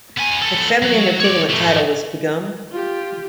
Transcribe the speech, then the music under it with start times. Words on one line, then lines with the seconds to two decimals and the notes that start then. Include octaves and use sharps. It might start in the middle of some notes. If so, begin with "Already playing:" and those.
The feminine equivalent title was Begum.
0.17 B3 G#5
0.42 B3 A4
0.82 F#3
1.20 C#5 D5
1.50 G#2 A3
2.72 F4 G4